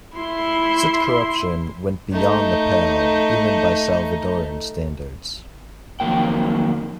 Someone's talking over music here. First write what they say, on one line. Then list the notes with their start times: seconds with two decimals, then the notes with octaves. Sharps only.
Such corruption "went beyond the pale" even by Salvadoran standards.
0.17 E4 C6
2.12 A3 D#4
6.00 F2 D#3 F3 F#3 A#3 G5